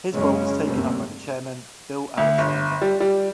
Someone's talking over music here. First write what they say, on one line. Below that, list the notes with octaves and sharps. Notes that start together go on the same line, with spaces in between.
His role was taken up by the Chairman, Bill Alexander.
F#1 C#3 G#3 C#4
D2 G2 C3 G3 A3 A#3
D2
G1
G3
G3